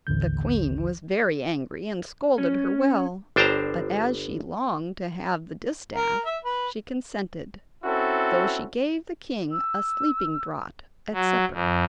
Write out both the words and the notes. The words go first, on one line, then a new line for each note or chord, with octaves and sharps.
The queen was very angry, and scolded her well; but as she longed to have the distaff she consented, though she gave the king a sleeping draught at supper.
A1 D#2 D3 G6
C#4
G1 D4 C5 G5 A5 A#5
A#4
E5
B4
C4 C#4 E4 F#4 A4
E6
F#3
F2